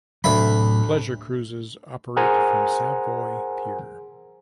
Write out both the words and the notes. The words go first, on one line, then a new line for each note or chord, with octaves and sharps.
Pleasure cruises operate from Savoy Pier.
D2 A2 C3 F#3 E5 B5
G#4 A#4 C5 F#5 G#5 A#5